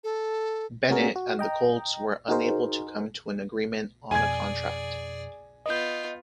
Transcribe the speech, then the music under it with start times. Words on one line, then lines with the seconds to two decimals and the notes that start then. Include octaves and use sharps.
Bennett and the Colts were unable to come to an agreement on a contract.
0.04 A4
0.90 A3 B3 C#4 F#4 G#4 A#4
1.16 F#4
1.39 D#5 G5 A#5
2.28 D#4 F#4 G#4 A#4 C5
4.11 F2 B2 G#4 D5 G#5 G#6
5.66 B3 F4 D#5 G6